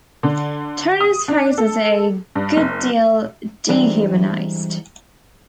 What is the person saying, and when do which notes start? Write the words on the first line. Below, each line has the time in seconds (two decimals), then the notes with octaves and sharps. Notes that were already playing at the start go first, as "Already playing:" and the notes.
Turner's face was a good deal dehumanized.
0.23 D3
1.01 D#6
1.28 D4
1.58 A4
2.35 G2
2.57 F#1
3.69 E3 G3 G#3 C4 D4 D#4